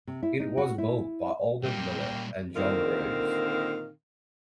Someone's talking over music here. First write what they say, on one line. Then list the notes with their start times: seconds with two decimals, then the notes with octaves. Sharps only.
It was built by Albert Miller and John Rose.
0.07 C3
0.23 E4
0.40 D#4
0.57 F#4
0.78 E4
1.63 A#2 G3 A#3 G5
2.55 A#2 D3 D#3 C4 A#4 F5